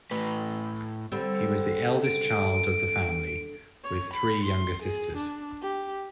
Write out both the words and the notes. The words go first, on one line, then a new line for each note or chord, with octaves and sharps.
He was the eldest child of the family, with three younger sisters.
A2 B4
D3 G3 C4
D7
C#5
B5
C6
G#4
D4
G4